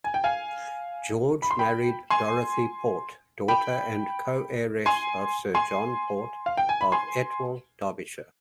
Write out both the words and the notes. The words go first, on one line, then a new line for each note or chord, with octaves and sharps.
George married Dorothy Port, daughter and co-heiress of Sir John Port of Etwall, Derbyshire.
G#5
G5
F5 G#5
B5
C6
G5 B5
G#5 C6
G5 B5
G#5 C6
G#5 C6
F5
G5
G#5
B5
G#5 C6